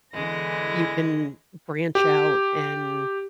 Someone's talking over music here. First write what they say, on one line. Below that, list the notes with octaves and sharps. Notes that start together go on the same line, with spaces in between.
you can branch out and,
E2 D3 E3 G#3 A#6
G4